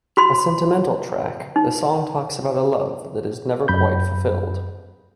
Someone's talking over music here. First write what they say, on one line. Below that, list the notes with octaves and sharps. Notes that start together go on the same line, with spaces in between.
A sentimental track, the song talks about a love that is never quite fulfilled.
F#4 B5 C6
D#4
F#2 B5 G6